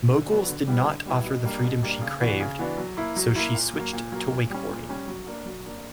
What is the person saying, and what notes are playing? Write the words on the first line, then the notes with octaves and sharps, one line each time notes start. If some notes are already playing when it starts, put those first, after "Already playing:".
Moguls did not offer the freedom she craved, so she switched to wakeboarding.
D3
F#3 B3 D4
D3
G3 B3 E4
D3
G3 B3 E4
B2
G3 A#3 D4
B2
G3 A#3 D4
C#3
E3 B3 D4 F#4
C#3
E3 B3 D4 F#4
F#3
A#3 E4
F#3
A#3 E4
A#2
F#3 A#3
A#2
F#3 A#3
A#2
G3 C#4
A#2
G3 C#4
F#3
A#3 D4
F#3
A#3 D4